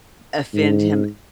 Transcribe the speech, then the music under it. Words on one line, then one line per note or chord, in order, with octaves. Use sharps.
offend him,
G#2